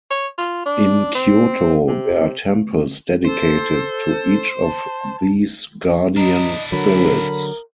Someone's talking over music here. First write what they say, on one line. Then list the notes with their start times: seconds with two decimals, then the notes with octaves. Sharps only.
In Kyoto there are temples dedicated to each of these guardian spirits.
0.11 C#5
0.38 F4
0.66 D4
1.15 C4
1.88 C3
3.25 A4 C5
4.62 A5
6.17 D4 E4 D#5 A#5
6.72 D3 F#3 A#4 B5